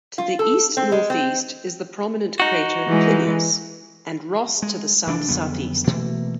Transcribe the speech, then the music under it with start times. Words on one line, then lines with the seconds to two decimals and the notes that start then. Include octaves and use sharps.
To the east-northeast is the prominent crater Plinius and Ross to the south-southeast.
0.18 F4
0.39 A4
0.77 C4
0.92 G#3
1.10 C4
2.40 D#4 F#4
2.87 E3 G#3
4.62 G#3
5.07 F1 E3 D4
5.28 F#1 F2 D3 B3
5.87 B2 E3 A3 A#3